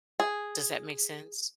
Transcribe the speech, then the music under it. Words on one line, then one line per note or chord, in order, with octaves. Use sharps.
Does that make sense?
G#4